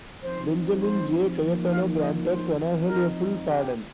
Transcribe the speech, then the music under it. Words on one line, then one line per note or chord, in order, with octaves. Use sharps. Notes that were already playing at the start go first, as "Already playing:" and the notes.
Benjamin J. Cayetano granted Kanahele a full pardon.
F3 C4 D#4 C5
C5
F3 A#3 D#4
F5
D#5
C5
F3 C4 D#4
A#4
G4